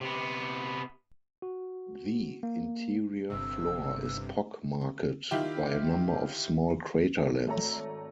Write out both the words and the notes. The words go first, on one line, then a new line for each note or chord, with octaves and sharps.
The interior floor is pock-marked by a number of small craterlets.
C3 B3
F#4
A#3
G1 G2 C3 E6
D#3 E4 F4 G4
G#1 A3 A4 C#5 A#5